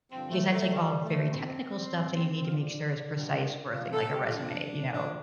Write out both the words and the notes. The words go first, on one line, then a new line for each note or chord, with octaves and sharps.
Because that's, like, all very technical stuff that you need to make sure is precise for a thing, like, a resume, you know,
G2 D3 F3 C4
A3
A3
F2 F3 G3
A3
F2 F3 C4
A2 F3
F4
A2 F3 D4
G2 D3 F3
G2 D3 F3 F4
A4
G4
F4
F2 F3 D4
F2 F3 D4